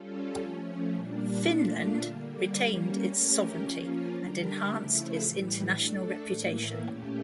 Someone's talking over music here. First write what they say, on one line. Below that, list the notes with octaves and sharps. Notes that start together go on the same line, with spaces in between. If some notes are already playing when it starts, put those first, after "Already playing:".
Finland retained its sovereignty and enhanced its international reputation.
Already playing: G3 C#4 F4 A4
F3 A3 C#4
A#2 G3 A#3 D4
A#2 A3 D4 F4
D3 G3 A#3
G3 A#3 C#4
A3 C#4 G4 A#4
F3 A#3 C#4 F4
D3 G3 D4 G4 A#4
C#3 F3 A3 E4
A2 E3 G3
A3 D4 A4
A2 E3 A#3 E4
A#2 A3 C#4 G4